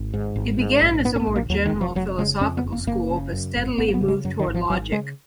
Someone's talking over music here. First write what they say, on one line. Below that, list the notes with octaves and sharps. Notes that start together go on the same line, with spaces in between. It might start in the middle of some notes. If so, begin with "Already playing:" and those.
It began as a more general philosophical school but steadily moved toward logic.
Already playing: G#1
G#2
G#1
G#2
A#1
G#2 B3
C#4
B3
A#1
A#3
D#2 F#3
D#3
F1
F3
F1 F#3
C#3 G#3
F2 C#4
B3
F#1
A#3
F#1 A#3
C#3
F#2
G#1
G#1 B3
A#3
B3
C#3
G#3
F#2 F#3
D#3
G#1
F3
G#1 F#3
C#3 G#3